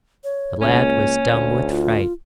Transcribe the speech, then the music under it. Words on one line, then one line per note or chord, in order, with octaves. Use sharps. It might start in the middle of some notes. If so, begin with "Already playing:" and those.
The lad was dumb with fright.
C#5
C#2 A#3 C#4
D2
F4